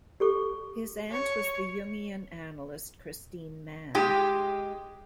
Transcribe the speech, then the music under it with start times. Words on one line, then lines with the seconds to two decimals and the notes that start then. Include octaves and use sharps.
His aunt was the Jungian analyst Kristine Mann.
0.20 G4 A4 C#6
1.11 C#5
3.95 G#3 G4